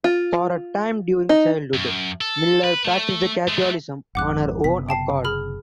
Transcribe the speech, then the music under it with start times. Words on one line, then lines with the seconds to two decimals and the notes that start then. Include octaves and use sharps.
For a time during childhood, Miller practiced Catholicism on her own accord.
0.04 F4
1.29 D#4
1.74 F#2
2.21 A4
2.64 B4
2.85 A3
3.48 G#3 A3
4.15 G#1 F2 G#2 F#5 D6 F#6
4.64 F#1 C3 B3 B6
4.89 G5 A5 C7
5.25 G#4 B5 F6